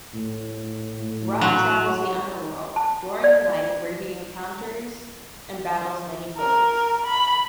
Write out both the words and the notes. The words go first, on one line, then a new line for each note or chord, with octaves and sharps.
Ra travels the underworld during the night where he encounters and battles many foes.
A2
F#3
A5
D5
A#4
B5